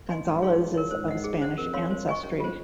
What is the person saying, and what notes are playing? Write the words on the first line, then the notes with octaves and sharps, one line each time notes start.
Gonzales is of Spanish ancestry.
D#5 G#5 C6
G#2 C#4
G#4 C#5 F5 C6
D#4
A#4 C#5
G#2 C5
D#5 F#5
G#4
C5 F#5
F2 A#4
C#5 F5 C6
C5
D#5 G#5 C#6
F#2 C#4
F4 C5